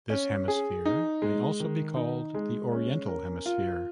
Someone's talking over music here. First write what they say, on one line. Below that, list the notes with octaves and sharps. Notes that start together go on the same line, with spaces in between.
This hemisphere may also be called the "Oriental Hemisphere".
C#4
G#4
D#4
G#3
D#3
D#4
G#3
C#4
A#4
F4